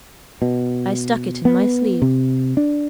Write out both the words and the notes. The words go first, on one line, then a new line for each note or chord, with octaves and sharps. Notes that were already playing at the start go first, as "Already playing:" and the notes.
'I stuck it in my sleeve.'
B2
B3
C3
D4